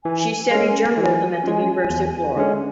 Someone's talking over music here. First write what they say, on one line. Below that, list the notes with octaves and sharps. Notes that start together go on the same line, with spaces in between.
She studied journalism at the University of Florida.
E3 G#5
G#3 C#4
E3 G#5
G#3 C#4
E2
D3 G#3 C#4